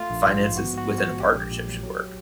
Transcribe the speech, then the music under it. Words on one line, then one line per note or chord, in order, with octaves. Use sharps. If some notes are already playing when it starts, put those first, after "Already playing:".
finances within a partnership should work?
Already playing: A3 F4
A#1
G#2
F3
B3 F#4
G#2 F#4
F3
F#4
G#3
A#1 G4
A#1
A#2
F#3
F#3